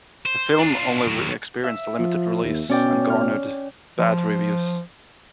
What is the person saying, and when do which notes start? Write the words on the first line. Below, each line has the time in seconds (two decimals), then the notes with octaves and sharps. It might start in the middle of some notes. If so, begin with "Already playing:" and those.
The film only experienced a limited release, and garnered bad reviews.
0.26 C5
0.58 D4 F4
1.07 D#2 F#3
1.64 E5
1.99 F3
2.44 D#2
2.69 B2 C#4 D5 G5
3.10 F6
3.99 F3